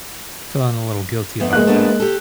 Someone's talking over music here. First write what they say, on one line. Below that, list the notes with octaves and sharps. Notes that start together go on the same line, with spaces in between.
feeling a little guilty about that.
F2 A3 B3
G#3 A#3 F#6
A3 B3 D4
G4 A4